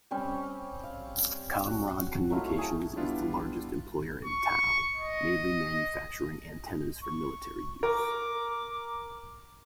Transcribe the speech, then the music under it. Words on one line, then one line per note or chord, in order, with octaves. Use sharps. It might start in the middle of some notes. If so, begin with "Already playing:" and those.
Comrod Communications is the largest employer in Tau, mainly manufacturing antennaes for military use.
G3 C4 C#4
F5
F#4
F#3 A3 E4 F4
G#4 A4
G3 B3 D4 E4 F4
C#6
D#5
C#6
A#4 D6